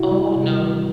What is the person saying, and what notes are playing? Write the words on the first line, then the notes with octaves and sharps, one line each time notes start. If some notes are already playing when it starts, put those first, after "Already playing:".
oh no."
Already playing: C3 E4 F#4
G3
C3
E3